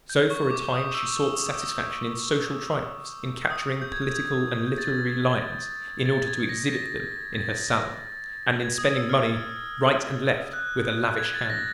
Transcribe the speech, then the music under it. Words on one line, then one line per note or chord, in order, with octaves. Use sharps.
So for a time she sought satisfaction in social triumphs, in capturing political and literary lions in order to exhibit them in her salon, and in spending money right and left with a lavish hand.
G6
C#6
D6
D#6
E6
D#6
G6
G#6
G6
G#6
A6
A6
G#6
A#6
A#6
A6
G#6
D#6
E6
F6
F#6
G#6
A6
A#6